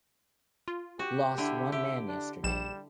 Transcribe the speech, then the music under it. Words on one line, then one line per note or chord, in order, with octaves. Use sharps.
Lost one man yesterday.
F4
F#4 G4
D3 E4
G4 E5
D4
A#1 G3 E7